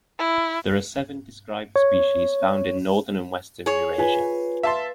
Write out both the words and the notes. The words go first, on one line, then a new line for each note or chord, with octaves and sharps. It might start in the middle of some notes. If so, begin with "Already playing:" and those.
There are seven described species found in northern and western Eurasia.
E4
C#5
G#4 C#5
F4 B4 G#5
E5 F5 A5 C6